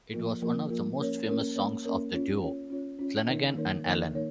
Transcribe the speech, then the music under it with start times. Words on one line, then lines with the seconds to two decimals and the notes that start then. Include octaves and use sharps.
It was one of the most famous songs of the duo Flanagan and Allen.
0.13 F3 A#3 F4 A#4
0.42 F3 A#3 F4 A#4
0.70 F3 A#3 F4 A#4
0.99 A#3 C#4 A#4 C#5
1.27 A#3 C#4 A#4 C#5
1.56 A#3 C#4 A#4 C#5
1.85 A#3 C#4 A#4 C#5
2.13 C#4 F4 C#5
2.42 C#4 F4 C#5
2.70 C#4 F4 C#5
2.99 C#4 F4 C#5
3.27 D#3 A#3 D#4 A#4 C#5
3.56 D#3 A#3 D#4 A#4 C#5
3.85 D#3 A#3 D#4 A#4 C#5
4.13 D#3 A#3 D#4 A#4 C#5